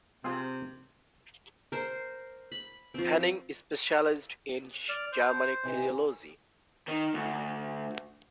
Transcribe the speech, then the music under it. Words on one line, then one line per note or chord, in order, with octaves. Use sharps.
Henning specialized in Germanic philology.
C3 C4 F4 G#4
A#4 C5
B5
F3 C4
D5 F6
C5
C3 E3 G#3
D#3
D2